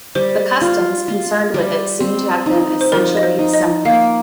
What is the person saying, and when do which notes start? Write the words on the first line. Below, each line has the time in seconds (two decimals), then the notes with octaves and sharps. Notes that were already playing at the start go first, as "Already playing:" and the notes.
The customs concerned with it seem to have been essentially similar.
0.15 G3 C5
0.61 F4
1.08 F4
1.54 G3
2.00 C4
2.46 D#4
2.81 C5
2.92 F3 A#4
3.17 D#5
3.23 C5
3.38 D#4
3.54 D#5
3.85 A#3 F5